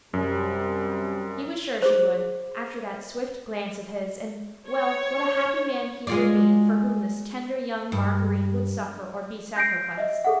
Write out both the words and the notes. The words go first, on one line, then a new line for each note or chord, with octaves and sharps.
He was sure she would, after that swift glance of his, and--Well, what a happy man he would be for whom this tender young Marguerite would suffer or be sacrificed.
F#2 C3 G3
G#4 C5
C#5
G#3 F4 D5
G2
G6 A#6 C7 D7
D#5 E5
G#4 A4 F#5